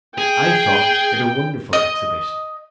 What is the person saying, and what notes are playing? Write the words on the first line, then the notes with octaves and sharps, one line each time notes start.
I thought it a wonderful exhibition.
G#4 G5
D#5